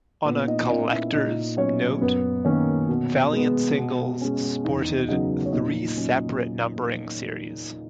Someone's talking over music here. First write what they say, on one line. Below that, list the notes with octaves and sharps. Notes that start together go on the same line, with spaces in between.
On a collectors note, Valiant singles sported three separate numbering series.
A#2 B3 B4
D#4 D#5
A#3 C#4 D#4 D#5
E4 E5
A#2 D#4 D#5
F#3 B3 C#4 C#5
F#2 B3 B4
D#3 A#3 C#4 C#5
B2
G#3 B3
B2
G#3 C#4
E2 D#4 D#5
C#3 F#3 B3 D#4 D#5
C#5
A#2 D#4 D#5
F#3 C#4